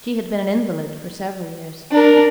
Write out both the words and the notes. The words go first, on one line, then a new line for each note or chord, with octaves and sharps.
She had been an invalid for several years.
D4 A#4